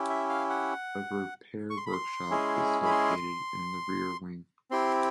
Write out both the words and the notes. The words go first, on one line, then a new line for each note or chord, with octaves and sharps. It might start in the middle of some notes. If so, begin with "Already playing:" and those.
A repair workshop is located in the rear wing.
Already playing: C#4 E4 G4
E5
F5
F#5
C#6
C6
B5
C6
G#3 C#4 E4 G#4
B5
C6
C4 E4 G4 C6